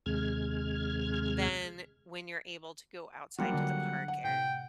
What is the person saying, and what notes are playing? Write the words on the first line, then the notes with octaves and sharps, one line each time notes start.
than when you're able to go outside to the park ar
D#2 C3 G#3 F6 G#6
F#3 G3 A#3 F4 F#5
D3 D4
F#5
A2 C3 G5